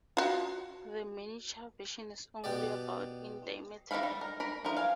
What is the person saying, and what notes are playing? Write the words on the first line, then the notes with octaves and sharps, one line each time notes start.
The miniature version is only about in diameter.
F4 F#4
B2 G4 D5
D#3 C4 E4 F5 B5
G3
A#4
A#4 B5
F3 E4 A#4
F5 G#5